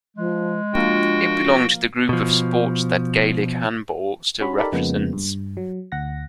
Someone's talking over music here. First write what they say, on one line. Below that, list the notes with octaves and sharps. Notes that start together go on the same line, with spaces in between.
It belonged to the group of sports that Gaelic handball still represents.
F3 G#3
F3 A#3 D4 F4 F#4 G5
B2 F3
C#4 F#4 B5
D#4 G4 A4 A#4 D5 B5
F2 C#3 F3 G#3 A#3 B3
G2
F#3
D2 F#5 A#6